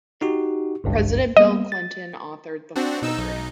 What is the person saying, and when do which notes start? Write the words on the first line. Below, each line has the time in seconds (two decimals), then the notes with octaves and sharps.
President Bill Clinton authored the foreword.
0.22 D#4 F#4 G4
0.84 G#1 C#2 G2
1.37 G3 A#3 B3 D#5
1.72 A6
2.76 C4 D4 F#4
3.02 B2 D#4 E6
3.18 B1 D#4